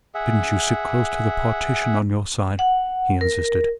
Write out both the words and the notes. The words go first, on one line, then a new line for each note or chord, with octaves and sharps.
"Didn't you sit close to the partition on your side?" he insisted.
G#4 E5 F#5
F#5
A#4